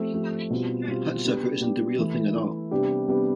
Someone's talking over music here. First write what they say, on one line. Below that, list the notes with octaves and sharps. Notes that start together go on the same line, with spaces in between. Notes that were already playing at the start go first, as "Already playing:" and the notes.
"Hudsucker" isn't the real thing at all.
Already playing: F3 A3 C4 G4
F3 A3 C4 G4
B2 G3 C4 F4
B2 G3 C4 F4
G3 B3 D4 G4
G3 B3 D4 G4
E3 A3 E4
E3 A3 E4
C3 G3 B3 D4 G4
C3 G3 B3 D4 G4